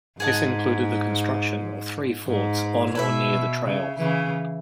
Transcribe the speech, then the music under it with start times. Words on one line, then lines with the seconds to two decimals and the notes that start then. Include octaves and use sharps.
This included the construction of three forts on or near the trail.
0.20 G#2 G#4 D#5 F#5 A5
2.27 G#2
2.95 B2 E4 B4 E5
3.64 C#3
3.98 C#3 E3